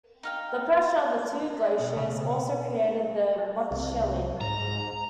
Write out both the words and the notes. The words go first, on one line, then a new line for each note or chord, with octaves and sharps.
The pressure of the two glaciers also created the Mutschellen.
D#4 F5 G5
B2
C#3
C2
G#2 A#5